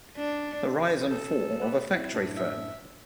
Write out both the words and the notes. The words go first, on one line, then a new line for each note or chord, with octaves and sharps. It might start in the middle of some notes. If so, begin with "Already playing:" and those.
The Rise and Fall of a Factory Firm.
D4
A4
B4 D5 E5
C4 E4
F#2 A2 D4
E5